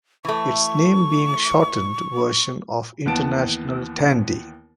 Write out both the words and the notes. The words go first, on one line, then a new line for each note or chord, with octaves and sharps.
Its name being a shortened version of International Tandy.
E3 A3 C#6
D#2 E3 B3 A5 D7